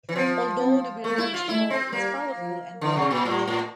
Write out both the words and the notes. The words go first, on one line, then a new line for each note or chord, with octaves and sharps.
Although the building is small, it is powerful and complex.
E3
F3 C4
C4
A3 A#3
E4
F4
A3 E4
C4
G3 A#3
F3
D3 E3
C3
A#2
A2 G3
A2